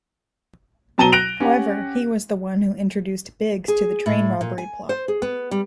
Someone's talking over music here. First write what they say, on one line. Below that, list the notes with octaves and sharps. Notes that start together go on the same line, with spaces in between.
However, he was the one who introduced Biggs to the train robbery plot.
B2 F#3 A5 A#5 D#7 G7
F#6 A#6 D7 F7
C#4 G4 F#5
G#4
A2
A#2
G#5
C5
G#4
B3
G3